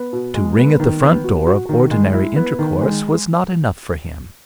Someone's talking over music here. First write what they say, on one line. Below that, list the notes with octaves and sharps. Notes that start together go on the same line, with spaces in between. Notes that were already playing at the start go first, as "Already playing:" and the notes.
To ring at the front door of ordinary intercourse was not enough for him.
Already playing: B3
B2
G#3
B3
D#3
B3
F#4
F#4
D#3
G#3
E4
B3
D#3
G#3